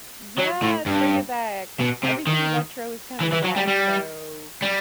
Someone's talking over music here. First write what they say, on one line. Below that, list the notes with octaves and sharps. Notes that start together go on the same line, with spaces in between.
Yes, bring it back. Everything retro is coming back, so
F#3
A2
G2
B2
C3
D#3
E3
E3
F#3
G3
G3
G3